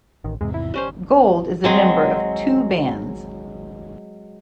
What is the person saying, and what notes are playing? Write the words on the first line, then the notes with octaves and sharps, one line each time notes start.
Gold is a member of two bands.
A1 D#3
E2 G#2 C3 G#3
E4
G3 C#4 C5
F#3 G#3 C4